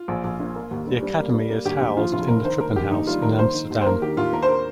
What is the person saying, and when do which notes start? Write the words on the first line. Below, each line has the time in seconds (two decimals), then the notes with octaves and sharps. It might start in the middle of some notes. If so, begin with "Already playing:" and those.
The Academy is housed in the Trippenhuis in Amsterdam.
Already playing: F4
0.08 A#1
0.24 A#1
0.40 A#2
0.56 A#3
0.71 D#2
0.87 G3
1.03 G3
1.18 A#3
1.34 G3
1.50 A#3
1.65 D#2 G4
1.81 D#2 G4
1.97 F3 F4
2.12 F1 F4
2.28 F3 A#4
2.44 D#3 C5
2.60 A#3 A#4
2.76 F1 G4
2.91 D#2 D#4
3.07 G3 F4
3.22 D#3 A#4
3.39 A#3 C5
3.54 D#3
3.70 D#2
3.81 C5
3.86 A#3 A#4
4.02 D#3 G4
4.17 D#2 F4
4.32 A#3 A#4
4.42 C5
4.49 A#4